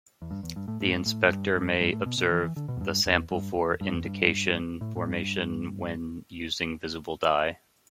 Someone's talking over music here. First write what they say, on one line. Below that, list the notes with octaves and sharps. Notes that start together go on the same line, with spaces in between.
The inspector may observe the sample for indication formation when using visible dye.
E2
G2
E2
G2
A2
A2
G2
A2
A2
G2
G2
G2
A2
B2
B2
E3
E3
D3
B2
E2
G2
E2
G2
E2
G2
E2
G2
A2
A2
G2